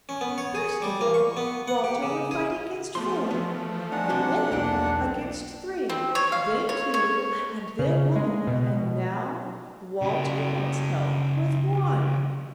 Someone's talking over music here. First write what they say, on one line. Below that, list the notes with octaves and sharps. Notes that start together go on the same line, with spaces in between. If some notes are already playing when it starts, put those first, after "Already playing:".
First of all Walter would fight against four, and then against three, then two, and then one, and now Walter wants help with one.
C#4
B3
C#5
G#4
G3
A#3
C#6
B3
F#5
G4
C#3
G#4
F3 A3 B3 F#4 C6
E3 B3 B4
D4 D#4 F#5 G#5
G#2 C3 F#4
B1 E2 A#3 D#4 E4 D5
C4
C#5
F5
C#5
C#5
C#3
G#3
B2
C#3 F#4